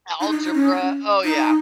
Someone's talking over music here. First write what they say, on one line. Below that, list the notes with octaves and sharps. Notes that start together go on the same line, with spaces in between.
Algebra, oh yeah,
D#4
D#4
D#4
C#4
D#4